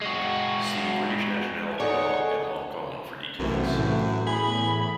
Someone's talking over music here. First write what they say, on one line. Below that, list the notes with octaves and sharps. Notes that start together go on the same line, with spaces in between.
See British nationality law and Hong Kong for details.
G#3 F#4
D#4 G#4 A4 C#5 D5 F#5
B1 F#2 C3 E3 A3
A2
E2 G#4 B5